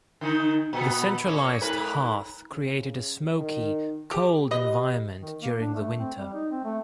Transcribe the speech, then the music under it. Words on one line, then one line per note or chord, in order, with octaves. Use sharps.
The centralized hearth created a smoky, cold environment during the winter.
D3 D#3 D#4
A#2 B3
A#2 A#3 C#4
G#2 A#4 B4
C#3
D#3
G4 G#4
G4 B4 D#5
D#3
A#3
D4
A3
C4
G3
D#4
C4
A3